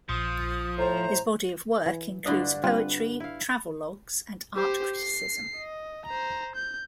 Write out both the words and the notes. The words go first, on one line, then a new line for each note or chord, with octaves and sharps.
His body of work includes poetry, travelogues, and art criticism.
A#1 F3 C6 D#6 C#7
A2 C5 A#5
E3 G#5
G2 D3 D4 E4 D#5
G3 C4 F4 B4
E4 F5
G4 C5
C7
D#5
C5 A#5
G6